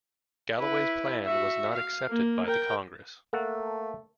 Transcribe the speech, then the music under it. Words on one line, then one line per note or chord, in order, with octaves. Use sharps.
Galloway's plan was not accepted by the Congress.
E4 B4
F#4 E5
F5
A#3
A#4 G5
A3 A#3 A4 F#5